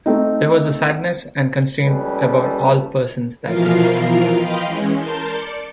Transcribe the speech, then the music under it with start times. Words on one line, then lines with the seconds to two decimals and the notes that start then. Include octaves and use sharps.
There was a sadness and constraint about all persons that day.
0.06 A3 C4 D#4
1.85 A#1 G3 G#3 C#4 A4 B4
3.43 B2 E3 F3 F4 A#4 F5
4.33 D#5 F5 G5 B5 C6
4.63 E3 G#3 C#4
4.96 A#4 A5 C6 G6
5.28 D5 C#7